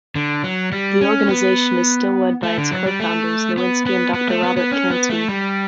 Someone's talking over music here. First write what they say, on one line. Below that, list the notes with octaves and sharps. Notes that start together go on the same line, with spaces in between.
The organization is still led by its co-founders, Nowinksi and Doctor Robert Cantu.
D3
F#3
G3
C#4
B3
A3
D3
F#3
G3
A3
B3
B3
B3
A3
B3
B3
C#4
B3
A3
G3